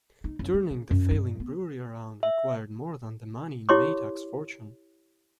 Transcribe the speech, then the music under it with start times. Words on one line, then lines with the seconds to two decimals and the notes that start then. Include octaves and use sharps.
Turning the failing brewery around required more than the money in Maytag's fortune.
0.24 D#4
0.39 F#1
0.54 G3
0.71 C#3
0.91 F#2
1.11 G2
1.40 B3
2.23 E5
3.69 E4 G4 C#5 C6 D6